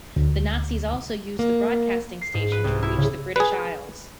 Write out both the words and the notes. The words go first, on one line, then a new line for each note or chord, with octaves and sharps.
The Nazis also used the broadcasting station to reach the British Isles.
D2
A#3
C7
G#2
B4
C2
E4
C#3
G#4 B4